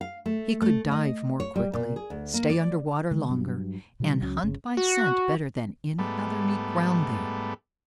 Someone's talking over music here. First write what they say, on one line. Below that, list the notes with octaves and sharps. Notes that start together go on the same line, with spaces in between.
He could dive more quickly, stay under water longer, and hunt by scent better than any other Mink round there.
F5
A3
A3
D#5
C#5
G3
A#2
G#4
D2
A#3
D5
D3 G#3
G2 F#3
B2 D#3 E3 G3
C#2 F#3 C#4
G1 C#3
F#4
G#2 G3 A3 B3